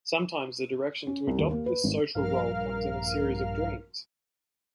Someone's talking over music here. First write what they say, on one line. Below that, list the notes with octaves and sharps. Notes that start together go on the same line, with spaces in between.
Sometimes the direction to adopt this social role comes in a series of dreams.
C#4
C2
D#2
A#3
B4
G#1
A#1 G2 A#4 F5 F6